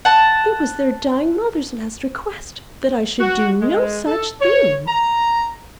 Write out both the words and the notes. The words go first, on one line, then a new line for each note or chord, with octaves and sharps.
"It was their dying mother's last request that I should do no such thing."
F#5 A5
F#4
G#3
A4
C#5
A#5